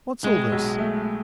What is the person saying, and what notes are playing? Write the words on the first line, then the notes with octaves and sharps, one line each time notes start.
What's all this?'
A2 G#3
B1
A3